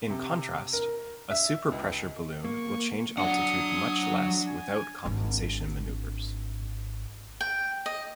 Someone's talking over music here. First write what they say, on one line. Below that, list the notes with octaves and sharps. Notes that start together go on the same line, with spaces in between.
In contrast, a superpressure balloon will change altitude much less without compensation maneuvers.
C3
A#4
E5
C#2
A#3 C#6
F#3 D4 F#5 D#6
G#5
G#1 D4
G5
D#5